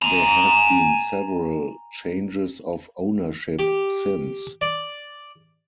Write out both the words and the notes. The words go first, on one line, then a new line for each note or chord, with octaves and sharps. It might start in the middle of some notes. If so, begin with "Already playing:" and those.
There have been several changes of ownership since.
G#5 A#5
G4
D5